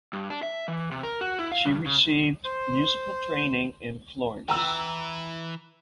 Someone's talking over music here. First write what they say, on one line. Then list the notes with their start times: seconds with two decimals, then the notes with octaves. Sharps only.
She received musical training in Florence.
0.13 G2
0.30 D4
0.43 E5
0.68 E3
0.91 C3
1.03 A#4
1.21 F#4
1.39 E4
1.52 F5
1.65 G2
1.86 C#3
2.45 C5
4.48 E3 G5 A#5 E6